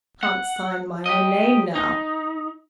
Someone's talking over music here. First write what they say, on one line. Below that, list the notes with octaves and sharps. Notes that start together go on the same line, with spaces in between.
I can't sign my own name now.
F#5
G4 D#5
D#4